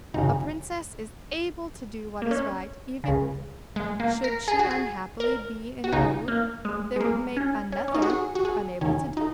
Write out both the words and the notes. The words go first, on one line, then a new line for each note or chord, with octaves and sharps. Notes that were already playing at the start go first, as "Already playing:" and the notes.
A princess is able to do what is right even should she unhappily be in a mood that would make another unable to do it.
G#1 F#2 C#3 D#4
A#3
C#4
C#2 C#3
G#3
A#3
A#4
G#4
F#4
G#4
A#4
F#4
C#2 C#3 D#4
A#3
G#3
G#3
A#3
C#4
C#4
C#4
D#4
F#4
G#4
F#4
G#4
D#2 D#3 C#4
D#4